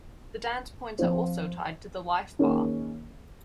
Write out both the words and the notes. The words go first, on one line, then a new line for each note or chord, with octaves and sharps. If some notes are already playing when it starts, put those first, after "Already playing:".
The dance points are also tied to the life bar.
F3 C4 F4 C5
D#3 A#3 C#4 G#4 C#5